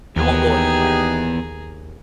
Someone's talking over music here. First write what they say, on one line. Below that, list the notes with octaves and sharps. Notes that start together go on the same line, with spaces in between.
won't go anywhere,
D#2 E3 B3 D#4 G4 G#4 A#5